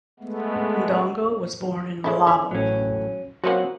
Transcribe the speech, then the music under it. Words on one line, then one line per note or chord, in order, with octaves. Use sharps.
Ndongo was born in Malabo.
G#3 A3 B3
G#3 A3 C#4 E4 A4 C5
E4 C#5
A1 A2 F#3 C#4
F3 F#3 A#3 C4 C#4 F#4 B4 F#5